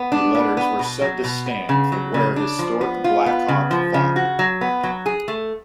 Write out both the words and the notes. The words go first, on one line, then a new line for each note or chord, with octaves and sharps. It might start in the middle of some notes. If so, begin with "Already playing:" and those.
The letters were said to stand for Where Historic Blackhawk Fought.
Already playing: B3
D4
B3
B3
B2
F#3
B2
B3
C#3
F#3
C#3
D4
F3
B3
F4
B3
C#3
F3
C#3
F#4
F#3
B3
F#3
G#4
A3